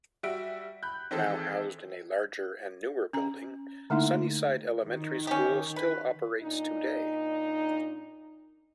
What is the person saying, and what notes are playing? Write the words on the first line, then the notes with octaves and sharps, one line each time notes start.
Now housed in a larger and newer building, Sunnyside Elementary School still operates today.
G3 F#4 E5 D7
B5 F#6 G6
D#3 E3 C4 G#4 A4
C#4 A#5
D3 A3 A#3 D#4 E4
D#3
C#4 G4
B4
A#2 D4 D#4